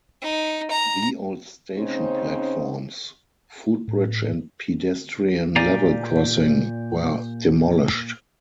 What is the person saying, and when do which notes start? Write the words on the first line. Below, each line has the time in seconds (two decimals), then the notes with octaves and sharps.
The old station platforms, footbridge and pedestrian level crossing were demolished.
0.22 D#4
0.71 A#5
1.77 C#3 C4 C#4 D#4 C5
3.88 A2
5.56 A#2 G4 D5 F5 G#5 A#5